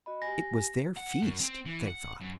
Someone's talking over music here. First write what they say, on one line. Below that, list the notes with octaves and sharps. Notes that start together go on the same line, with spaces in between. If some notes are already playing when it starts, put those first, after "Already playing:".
It was their feast, they thought.
F#4 D#5 B5
G4 G#5 A#6
F#5
F#2
C4
E3
F#5
F#2